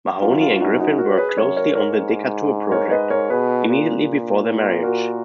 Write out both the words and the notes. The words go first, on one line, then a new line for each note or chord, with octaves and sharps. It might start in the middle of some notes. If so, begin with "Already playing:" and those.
Mahony and Griffin worked closely on the Decatur project immediately before their marriage.
F#2 F4
F4
F#2 D#4 F#4
D#4 F#4
F#4 A#4
C#5
G#4 B4
F#2 A#4 C#5
A#4 C#5
G#2 A#4 C#5
A#4 C#5
B4 D#5
A#4 C#5
B2 G#4 B4
A#2
F#4 A#4